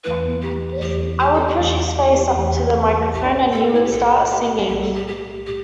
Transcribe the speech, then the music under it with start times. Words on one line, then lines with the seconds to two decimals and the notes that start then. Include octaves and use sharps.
I would push his face up to the microphone and he would start singing.
0.04 E2 E3 A3 E4 B4
0.42 G4
0.81 E2 E3 A3 E4 G4
1.20 G4
1.34 A4
1.47 G4
1.58 E2 E3 A3 E4
2.36 E2 E3 A3 E4
3.13 B1 A2 A3 G4
3.52 A4
3.75 E4
3.84 G4
3.91 B1 A2 A3 A4
4.30 G4
4.69 B1 A2 A3 G4
4.81 A4
4.95 G4
5.08 G4
5.46 A2 G4